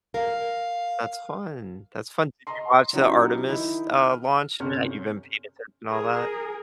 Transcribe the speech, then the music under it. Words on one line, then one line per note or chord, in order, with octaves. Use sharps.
That's fun, that's fun. Did you watch the Artemis, uh, launch and that you've been paying attention, all that?
A#4 F5
D#5 A#5 C6
F#3 C#4 D#4 E4 F#4 G4
D#3 D#4 E4
F6
G1 C3 C#4 F6
G#4 A#4